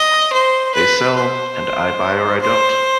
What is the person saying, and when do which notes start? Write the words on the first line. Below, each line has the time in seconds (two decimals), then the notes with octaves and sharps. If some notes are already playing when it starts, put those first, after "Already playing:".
They sell and I buy or I don't.
Already playing: D#5
0.33 C5
0.74 B4
1.16 C5
2.42 C5